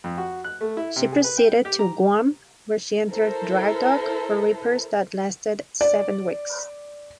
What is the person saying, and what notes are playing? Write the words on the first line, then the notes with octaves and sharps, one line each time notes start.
She proceeded to Guam, where she entered drydock for repairs that lasted seven weeks.
F2
F#4
F#6
A3
E4
C3
G#4
B4
G5
G4
A#5
E4 A4 A#4 C5
D5